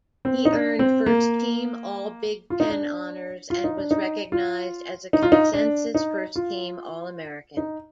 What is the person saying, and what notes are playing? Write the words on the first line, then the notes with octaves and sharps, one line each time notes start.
He earned first-team All-Big Ten honors and was recognized as a consensus first-team All-American.
C4
D#4
D4
C4
A#3
F4
D#4
D4
F4
D#4
D4
D#4
F4
D#4
F4
D#4
D4
D#4
F4
D#4